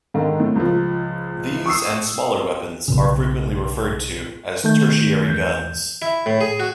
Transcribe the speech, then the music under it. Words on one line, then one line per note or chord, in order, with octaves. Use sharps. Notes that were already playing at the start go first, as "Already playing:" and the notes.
These and smaller weapons are frequently referred to as tertiary guns.
G#2 D3 D#3
A2
C#2 F3
C#6 D#6 E6 C7
B1 A#2 C#3
D#3 A3 G6
E2 G6
E4
A2
G#4
F#4